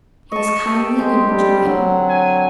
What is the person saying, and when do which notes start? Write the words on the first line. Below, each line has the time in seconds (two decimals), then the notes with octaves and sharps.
He was kindly and enjoying.
0.32 D#5 A5 C#6
0.66 G4 A4 D6
0.99 G#3 C4
1.28 G3 D4
1.66 D3 F#3
2.10 G#5